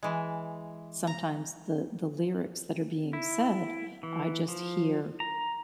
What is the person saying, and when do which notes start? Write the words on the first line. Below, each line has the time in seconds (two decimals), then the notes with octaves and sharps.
sometimes, the the lyrics that are being said, I just hear
0.03 E3 G#3
1.07 A#5
3.13 E4
4.03 E3
4.48 F3
5.20 A#5